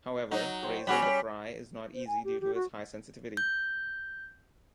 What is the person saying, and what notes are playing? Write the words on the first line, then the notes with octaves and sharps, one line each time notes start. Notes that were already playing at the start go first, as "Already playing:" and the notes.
However, raising the fry is not easy due to its high sensitivity.
F#3 D#4
C5 C#5 G5
G3 C#4 F#4 G#4 D5 B5
G3
C5
G#5
G4
G4
F#4
G6